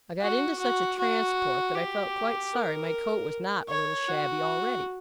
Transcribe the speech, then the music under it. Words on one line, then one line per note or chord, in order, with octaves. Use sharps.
I got into such a transport, that I felt quite sorry my coat was not a little shabby already.
F#4
F#4
F#4
G4
A#4
C#5
F#4